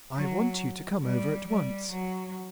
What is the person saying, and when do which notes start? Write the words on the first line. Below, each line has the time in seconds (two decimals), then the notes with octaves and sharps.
"I want you to come over at once."
0.16 F#3
1.03 G3
1.47 G3
1.91 F#3